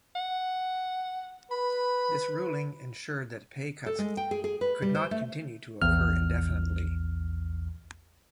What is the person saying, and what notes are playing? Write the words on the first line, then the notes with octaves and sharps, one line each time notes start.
This ruling ensured that pay cuts could not continue to occur indefinitely.
F#5
B4 B5
A4
G#3
G5
G#4
G#4
B4
G3
C5
A3
A#1 E2 F6